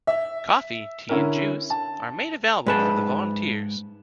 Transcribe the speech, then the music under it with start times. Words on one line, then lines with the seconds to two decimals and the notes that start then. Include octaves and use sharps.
Coffee, tea and juice are made available for the volunteers.
0.07 E5
1.09 D3 C#4 E4 A#4
1.70 A5
2.66 G#2 B4 A5